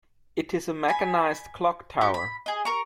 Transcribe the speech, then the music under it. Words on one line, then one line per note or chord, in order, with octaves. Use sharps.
It is a mechanized clock tower.
G#5 B5
F#4 G4 G5 C#6
B5
G#4 D#5
A#4 A#5 C#6